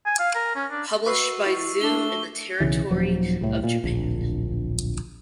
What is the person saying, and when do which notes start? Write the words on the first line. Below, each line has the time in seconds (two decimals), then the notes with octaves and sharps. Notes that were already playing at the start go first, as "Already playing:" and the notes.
Published by Zoo in the territory of Japan.
0.06 G#5
0.19 F5
0.35 A#4
0.55 C#4
0.71 D4
1.06 F#4 B4 C#6 E6 C7
1.46 E4
1.81 A3 D4 D6 G7
2.60 B1 C#3 E3
2.90 D#1 F3 F#3
3.41 C2 A2
3.64 A#2
3.84 D1 A#1